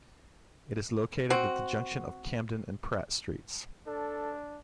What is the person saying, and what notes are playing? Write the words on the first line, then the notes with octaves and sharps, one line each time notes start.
It is located at the junction of Camden and Pratt Streets.
C4 F#4
D4 A4